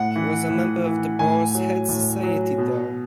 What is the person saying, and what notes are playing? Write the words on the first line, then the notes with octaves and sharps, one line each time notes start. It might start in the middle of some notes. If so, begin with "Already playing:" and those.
He was a member of the Boar's Head Society there.
Already playing: A2 F#5
E3
A2
E3
A2 G#5
F#3
A2
F#3
B2